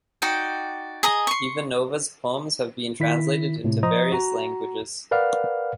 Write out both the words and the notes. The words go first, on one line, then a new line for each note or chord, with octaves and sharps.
Ivanova's poems have been translated into various languages.
D#4 F#4 D5 G5
G#4 D#5 A#5 D#6
C6 C#6
D#3 E4 B6
A2 C3
F3 C5 D#5 A#5 D#6
F#4 A#5
A#4 B4 D5 F5 F#5 F6